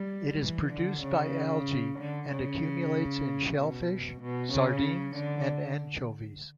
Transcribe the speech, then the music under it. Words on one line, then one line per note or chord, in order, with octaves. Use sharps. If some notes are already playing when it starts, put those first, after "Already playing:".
It is produced by algae and accumulates in shellfish, sardines, and anchovies.
Already playing: G3
E3
D3
C#3
D3
C#3
B2
B2
C#3
D3